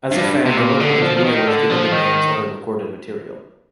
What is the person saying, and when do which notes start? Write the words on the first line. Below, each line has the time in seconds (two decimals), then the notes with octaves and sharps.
As a fan the local engineer was given the band's other recorded material.
0.11 G2
0.45 C3
0.57 A#2
0.80 D3
1.02 F3
1.17 F3
1.24 D#3
1.47 D3
1.70 F3
1.92 D#3